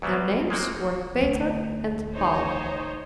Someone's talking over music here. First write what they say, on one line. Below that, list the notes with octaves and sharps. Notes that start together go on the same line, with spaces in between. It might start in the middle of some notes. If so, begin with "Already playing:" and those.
Their names were Peter and Paul.
E2 F#3 G3 B3 C4
G#3 A#3 C4 F#4
D2
D#4 C5 C#5